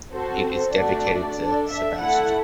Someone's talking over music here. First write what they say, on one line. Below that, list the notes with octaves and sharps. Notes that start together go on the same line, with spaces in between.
It is dedicated to Sebastian.
C4 F#4 A4 C5
C5
A3 D4 F#4 D5
D4 A4
E5
A3 E4 A4 F#5